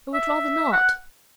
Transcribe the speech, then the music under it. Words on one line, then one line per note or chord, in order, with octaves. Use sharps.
I would rather not.'
E5
F#5